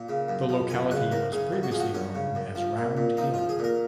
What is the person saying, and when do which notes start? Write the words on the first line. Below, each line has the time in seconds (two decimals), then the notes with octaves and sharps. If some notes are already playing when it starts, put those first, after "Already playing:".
The locality was previously known as Round Hill.
Already playing: A#2
0.09 C#3
0.29 F#2
0.49 F3
0.70 F#2 G#5
0.91 C#3 F#5
1.12 F#2 A#4
1.32 C#3 G#4
1.53 F#2
1.63 F#4
1.71 F3 G#4
1.79 F#4
1.94 F#2 C#4
2.15 C#3
2.35 F#2
2.55 F3
2.77 A#2
2.97 A#2
3.17 F3 D#4
3.34 F3 F4
3.49 G#4
3.59 A#2 A#4